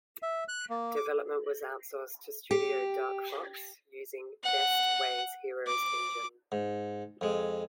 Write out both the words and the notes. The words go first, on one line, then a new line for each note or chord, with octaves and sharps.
Development was outsourced to studio Dark Fox, using Best Way's Heroes engine.
E5
F#6
A#3
D6
G4
F#5
D6
G#2
F2 G#3